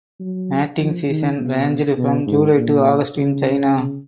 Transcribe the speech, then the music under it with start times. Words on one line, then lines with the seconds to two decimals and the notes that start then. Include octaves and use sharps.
Mating season ranged from July to August in China.
0.20 F#3
0.78 F3
1.08 D#3
1.38 B2
1.97 B2
2.27 G#2
2.57 A#2
3.16 C#3